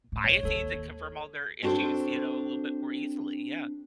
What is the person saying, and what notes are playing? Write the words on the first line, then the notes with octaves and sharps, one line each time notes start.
biases and confirm all their issues, you know, a little bit more easily, yeah.
A2
B1 C#5
D#2 A#3 A4 C#5
C4 D4 F#4 A4 C5